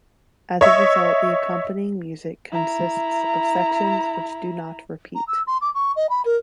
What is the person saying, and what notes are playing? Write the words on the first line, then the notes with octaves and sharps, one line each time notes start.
As a result, the accompanying music consists of sections which do not repeat.
C#5 D#5 E5
E4 A#5
A#5
E6
C6
D6
C#6
D#5
B5
A#4